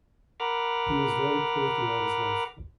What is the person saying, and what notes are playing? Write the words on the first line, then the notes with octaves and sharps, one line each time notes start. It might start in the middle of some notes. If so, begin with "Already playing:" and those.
He was very poor throughout his life.
A#4 F#5 A#5 B5 D6 F6